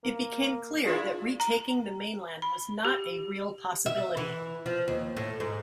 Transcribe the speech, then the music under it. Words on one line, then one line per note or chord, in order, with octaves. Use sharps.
It became clear that retaking the mainland was not a real possibility.
A#3
D4 E4 F4 G#4
A#5
B5
G4
E5
E3
F3
D#2
A2
G#2